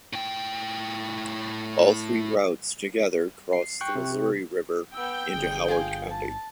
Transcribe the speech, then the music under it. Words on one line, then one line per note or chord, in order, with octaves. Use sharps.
All three routes together cross the Missouri River into Howard County.
A2 G5
C7
G5 C#6 F#6
C3
B3 G5 E6
G1 G#4
F4 G#5
A5